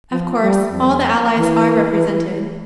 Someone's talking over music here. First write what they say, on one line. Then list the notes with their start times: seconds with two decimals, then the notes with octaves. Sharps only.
Of course, all the allies are represented.
0.12 F3
0.42 G3
0.71 F2
1.36 E3